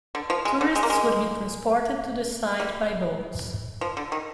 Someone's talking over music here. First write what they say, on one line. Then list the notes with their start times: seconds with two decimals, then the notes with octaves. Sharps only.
Tourists would be transported to the site by boats.
0.15 D3
0.30 F3
0.45 G#3
0.61 D3
0.76 G#3
0.83 A#3
0.90 G#3
2.60 G3
3.81 F3
3.97 D3
4.12 D#3